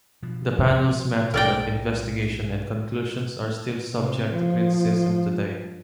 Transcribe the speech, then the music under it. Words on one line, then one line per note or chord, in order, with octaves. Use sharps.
The panel's method of investigation and conclusions are still subject to criticism today.
B2 F3
B1 A#4 D5 G5
C3
F3